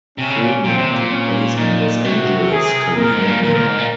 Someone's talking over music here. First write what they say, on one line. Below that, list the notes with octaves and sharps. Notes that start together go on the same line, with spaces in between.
Filming took place in Los Angeles, California.
C3 C#4
C#3
A#2
A#2 C4
C3
A#2
C#4
A#2 D#4
C3 F#4
G#4
A#2 A#4
G#2
A#2
A#2 A#4
A#2
G#2
A#2